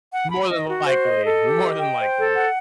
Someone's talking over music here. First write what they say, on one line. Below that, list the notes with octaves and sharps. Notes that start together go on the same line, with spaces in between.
More than likely. More than likely.
F#5
B5
D#5
F#4
C5
D#5
A4
G4
D#5
G5
C5
A4
F#5